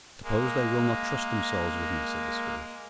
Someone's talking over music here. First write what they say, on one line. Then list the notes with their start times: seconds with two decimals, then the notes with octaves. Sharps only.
"Suppose they will not trust themselves with me?" said the spirit.
0.23 G#3 A#3